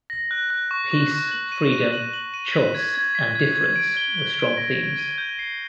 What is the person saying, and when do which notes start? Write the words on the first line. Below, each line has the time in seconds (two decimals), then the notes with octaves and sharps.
Peace, freedom, choice and difference were strong themes.
0.10 A#6
0.31 F#6
0.50 F#6
0.71 C#6
0.91 C#6
1.11 C#6
1.31 F#7
1.52 D#7
1.72 D#7
1.93 F#7
2.13 F#7
2.34 D#7
2.54 B6
2.75 G#6
2.95 G#6
3.15 B6
3.35 G#6
3.56 G#6
3.76 D7
3.97 G7
4.17 G7
4.37 D7
4.57 A#6
4.78 D7
4.98 D#7
5.18 G6
5.39 C7